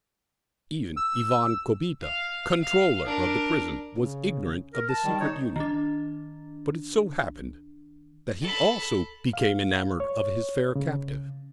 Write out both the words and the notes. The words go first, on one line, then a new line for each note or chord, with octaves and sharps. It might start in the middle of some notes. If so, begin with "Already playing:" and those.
Even Ivan Kobita, controller of the prison, was ignorant of the secret union, but it so happened that he also became enamoured of his fair captive.
E6
F5
F5
D4 A#4
C#3
A#4
A5
D#3 G3
D#4 C#5
D#3 D4
A4 B5
F5
C#5
C#3